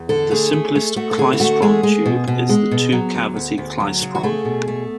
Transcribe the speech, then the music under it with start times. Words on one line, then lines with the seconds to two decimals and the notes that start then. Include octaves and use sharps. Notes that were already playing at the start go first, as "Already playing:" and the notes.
The simplest klystron tube is the two-cavity klystron.
Already playing: E2
0.09 D3 A4
0.31 A3 G#4
0.53 A3
0.75 A3
0.96 A3 F#4
1.11 A4
1.18 D3 G#4
1.33 E4
1.40 A3 F#4
1.62 G#3 G#4
1.83 G#3
2.06 B2
2.28 B2
2.49 G#3
2.71 B2
2.92 F#3
3.14 D2
3.37 D2
3.58 D2
3.80 F#3
4.02 C#3
4.15 F#4
4.23 A3 G#4
4.45 B2
4.68 A3